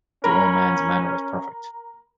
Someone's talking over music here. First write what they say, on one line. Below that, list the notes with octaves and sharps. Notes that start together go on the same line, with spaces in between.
The old man’s manner was perfect.
C#4 A#4 A#5 B5